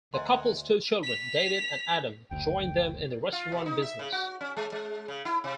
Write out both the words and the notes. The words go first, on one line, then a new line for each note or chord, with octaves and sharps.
The couple's two children, David and Adam, joined them in the restaurant business.
D2 A#4 D#5 F#5 G#5 C6
B6 F7
F#1 D2 G5
F4
B2
D#4
E5
C#3
F#4
C#4
G#3
G#3
C#3
E4
C3